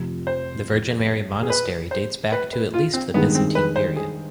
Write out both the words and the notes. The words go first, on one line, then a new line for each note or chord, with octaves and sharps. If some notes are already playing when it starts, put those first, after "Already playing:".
The Virgin Mary Monastery dates back to at least the Byzantine period.
Already playing: F1 F2 C3
C5
G#4
B4
C5
B4
B4
F4
C4
G2 D#3 G#3 B3
C4
B4
C5
G#4